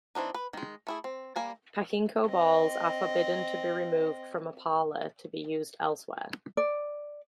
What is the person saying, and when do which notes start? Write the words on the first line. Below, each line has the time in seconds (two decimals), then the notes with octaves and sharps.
Pachinko balls are forbidden to be removed from a parlor to be used elsewhere.
0.15 E3 C4 D4 D#4
0.34 B4
0.53 D#3 G#3
0.87 A3 E4 G#4
1.04 C4
1.36 G3 A#3 G#5
2.26 C4 D#5
6.57 D5